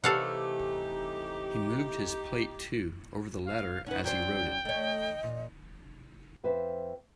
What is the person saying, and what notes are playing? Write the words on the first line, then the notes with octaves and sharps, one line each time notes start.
He moved his plate, too, over the letter as he wrote it.
C3 E3 A3 D#4 G4 A4 F5 F#5
F5
C#4 D#4 B4 F#5
F#3 C#4 C5 D5 G5
A3 C#5 D#5
A#2
F2 B4 C5 E5